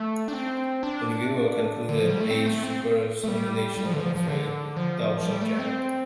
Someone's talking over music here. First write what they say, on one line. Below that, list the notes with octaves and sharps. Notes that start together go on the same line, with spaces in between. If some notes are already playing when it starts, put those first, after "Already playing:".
The reviewer concluded: "A superb simulation of a dull subject".
Already playing: A3
D4
C4
D4
D3
F3
G3
A3
C4
A3
C4
A3
G3
G3
F3
D3
F3
F3
D3
F3
F3
G3
A3
C4